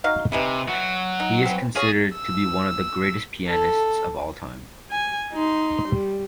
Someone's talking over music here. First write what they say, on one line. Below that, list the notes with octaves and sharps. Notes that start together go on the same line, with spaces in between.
He is considered to be one of the greatest pianists of all time.
F#3 D#4 F5
C3 E3 D#4 E4
F#3 F#4
D#4
E3 C4
F4 G#4 C#5
E6
A4
G#5
D#4 C6
G3